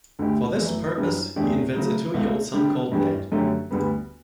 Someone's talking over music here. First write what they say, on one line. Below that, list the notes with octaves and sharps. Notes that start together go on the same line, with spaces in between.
For this purpose, he invents a two-year-old son called Ned.
D2 D3 A3 E4 G4
F#2 E3 A3
F#2 E3 G3 D4
E2 D3 A3 D4 G4
C#3 F#3 A3
C#2 B2 A3
D3 G3 D4 G4
G2 E3 G3 D4 G4
F#2 D3 A3 C#4 G4
D2 D3 G3 B3